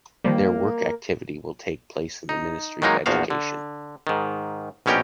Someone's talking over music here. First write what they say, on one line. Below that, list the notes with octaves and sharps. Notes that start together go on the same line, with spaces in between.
Their work activity will take place in the Ministry of Education.
D#3 F3 G3 A#3
D#4
D#3 F#3 G#3 A#3 D#4
A#1 E2 F3 F#4 F5
D3
G#2 D#3
A#1 B2 C#4 G4 A#4 G5